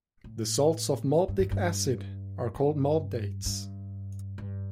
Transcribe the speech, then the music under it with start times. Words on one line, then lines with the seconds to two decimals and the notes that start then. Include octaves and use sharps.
The salts of molybdic acid are called molybdates.
0.24 A2
1.28 G2
1.39 G2
1.52 G2
2.54 G2
3.45 G2
4.38 G2